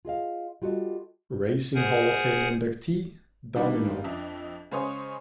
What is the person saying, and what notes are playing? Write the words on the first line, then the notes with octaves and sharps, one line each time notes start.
Racing Hall of Fame inductee, Domino.
F4 G#4 D#5 F5
G3 F4 F#4 A4 D#5
G#4 A#4 C5 F#5 G#5
D#3 G3 A#3 B3 D4 D#4
F2 D4 D#5 E5
C#3 G#3 C5 C#5 G#5 D#6